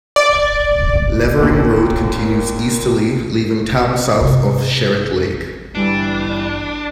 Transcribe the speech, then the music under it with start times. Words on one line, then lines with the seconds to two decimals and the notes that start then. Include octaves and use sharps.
Levering Road continues easterly leaving town south of Sherett Lake.
0.16 D5
1.39 D#2 A#2
4.21 C3
5.75 G1 E3 G3 D4